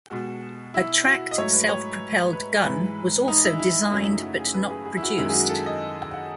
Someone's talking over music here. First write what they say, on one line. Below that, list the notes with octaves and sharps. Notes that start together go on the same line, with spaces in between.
A tracked self-propelled gun was also designed but not produced.
B2 G#3 F#4
E4
F#4
D#5
G#2 F#3 A3 C#5
B4
C#5
B4
G#2 E3 G#3 B4
D#4
E4
E4
F#2 C#3 F#3 A3 C#4
D#4
E4
F#4
G#4
B4
G#4
G#4
E4
F#4
F#2 D#3 G#3 E4
G#4
F#4
A4
D#5
F#5